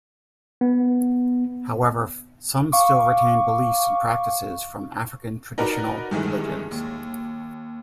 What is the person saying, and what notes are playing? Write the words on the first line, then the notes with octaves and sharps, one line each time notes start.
However, some still retain beliefs and practices from African traditional religions.
B3
F5 C#6 D6
D#4 F#4 A#4 B4 D5
G2 D#3 E3 G#3 A3
D#2